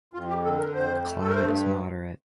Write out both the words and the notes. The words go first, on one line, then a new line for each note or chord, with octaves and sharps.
The climate is moderate.
F2 F4
G4
D3 A4
A#4
F2 C5
A3
A4
A#4
G2 C5